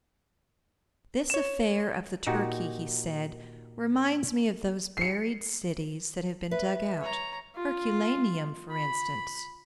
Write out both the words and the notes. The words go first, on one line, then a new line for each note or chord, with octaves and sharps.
"This affair of the turkey," he said, "reminds me of those buried cities that have been dug out,--Herculaneum, for instance."
C#5 E7
A#2 D#4 F#4 G4
C7 C#7
B4 E5
C#5 A#5
F4
B5